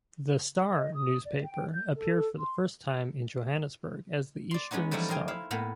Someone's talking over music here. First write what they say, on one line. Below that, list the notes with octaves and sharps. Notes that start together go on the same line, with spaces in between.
"The Star" newspaper appeared for the first time in Johannesburg as The Eastern Star.
D#5
D#6
D5
G5
G6
A4
C6
D5 C6
G#3 B3 C#4 D#4 F#4
E3 F3 G3 A3 D#4 E4
A#4 C5 D#5 G5 G#5
E4 F5
A2 A#3 B3